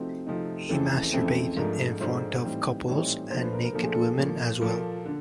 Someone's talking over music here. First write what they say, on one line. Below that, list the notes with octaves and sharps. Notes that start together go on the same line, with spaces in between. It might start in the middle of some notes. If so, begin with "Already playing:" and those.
He masturbated in front of couples and naked women as well.
Already playing: C3 F3 A3 C4 D#4 F#4
C3 F3 A3 C4 D#4
F2 C#3 E3 A3 C4 A4
F2 C#3 E3 A3 C4
G#2 F3 A3 D4 A#4
G#2 F3 A3 D4 C5
A2 E3 G3 C4 D#4
A2 E3 G3 C4 D#4 C#5
A#2 F3 A3 D4 C5
B4
A#4
A#4
A#2 F3 A3 D4 A4
G#4
A4
A#2 F3 A#3
A#2 F3 A#3 A4
D3